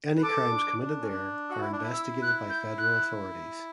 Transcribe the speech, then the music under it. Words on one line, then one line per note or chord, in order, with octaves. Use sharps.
Any crimes committed there are investigated by federal authorities.
B4
A4 D6
D4
D4
C#4
D4
F#4
E4
D4
E4
E6
F#6
G6
F#6